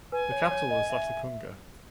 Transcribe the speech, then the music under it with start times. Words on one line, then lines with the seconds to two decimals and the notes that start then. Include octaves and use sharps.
The capital is Latacunga.
0.12 B4 G#5
0.32 C#5
0.51 C#5
0.71 D#5
0.90 E5